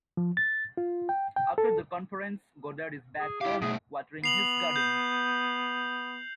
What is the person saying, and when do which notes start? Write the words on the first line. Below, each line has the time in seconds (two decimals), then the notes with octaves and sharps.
After the conference, Godard is back home, watering his garden.
0.17 F3
0.37 A6
0.77 F4
1.09 G5
1.36 G5
1.58 A4
3.20 G#4
3.41 E4 G4 F5
3.62 B2 A3 G#4
4.24 B3 C7 F7 F#7
4.76 G6